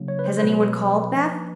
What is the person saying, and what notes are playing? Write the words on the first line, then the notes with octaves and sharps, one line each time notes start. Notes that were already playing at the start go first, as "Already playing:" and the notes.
Has anyone called, Beth?
Already playing: C#3 F#3 A#3 D4
C#5
B4
C5
C5
B2 F#3 B3 B4
F3 A#3 D4